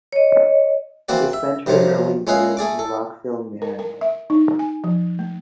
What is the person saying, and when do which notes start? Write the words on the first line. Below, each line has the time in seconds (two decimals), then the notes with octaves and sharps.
She spent her early years in Rockville, Maryland.
0.13 C#5 D#5
1.08 E3 A#3 C4 F#4 D5
1.33 E5
1.66 G2 C3 F3 F#3 F4
2.27 G#3 C#4 E4 G#4 B4 F5
2.57 A3 G#4 D5 D6
2.79 A4
3.62 A#4
3.79 A#4
4.01 E5
4.30 D#4
4.59 G#5
4.84 F3
5.19 A3